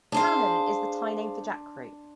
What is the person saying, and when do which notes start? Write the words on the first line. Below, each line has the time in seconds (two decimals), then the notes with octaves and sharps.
Khanun is the Thai name for jackfruit.
0.12 D4 G#4 C5 F5 C6